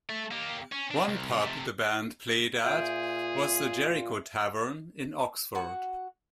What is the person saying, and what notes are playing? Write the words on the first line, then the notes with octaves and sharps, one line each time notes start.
One pub the band played at was the Jericho Tavern in Oxford.
A3
A#3 G4
C#4
C4 D4
C2
C3 A3
A#2 F4 G#4 E5 G6 D7
F#4 F#5